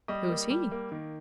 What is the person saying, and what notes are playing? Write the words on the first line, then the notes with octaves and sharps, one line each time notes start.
"Who is he?"
G3 D#5
A#3
G3
A#3
D#3